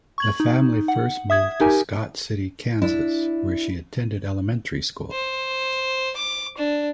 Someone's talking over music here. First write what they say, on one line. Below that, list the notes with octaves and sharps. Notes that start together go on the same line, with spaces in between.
The family first moved to Scott City, Kansas, where she attended elementary school.
C#6 G#6 F#7
D#4
F#5
E5 D#6 G#6
D#4 G4 A#4 G#5
D4 E4
C5
D6
D4